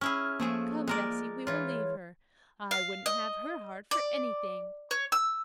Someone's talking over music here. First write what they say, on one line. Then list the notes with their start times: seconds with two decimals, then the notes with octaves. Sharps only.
Come, Bessie, we will leave her: I wouldn't have her heart for anything.
0.01 C#4 E4 G#4 F6
0.40 F3 A3 A#3 G#4
0.87 G#3 A#4 D5
1.47 E3 F4 C#5
2.71 F5
3.06 D#5
3.91 D5
4.91 C#5
5.12 E6